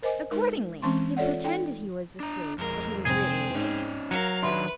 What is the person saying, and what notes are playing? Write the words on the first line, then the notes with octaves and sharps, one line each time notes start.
Accordingly he pretended he was asleep, but he was really awake.
A#4 C5 D#5 G#5 D6
G#3 D#4 A#4
E3 G#3 C4 C#4 C6 C#6
F4 A4 C#5 D5 E5 F#5
D#4 A4 G5
D4 A#5
F2 G#3 A#4
F1 C4 G#4
G#2 C#4 D#4
F#3 A#4 F5 C#7
D#3 D4 B4 E5 B5 C6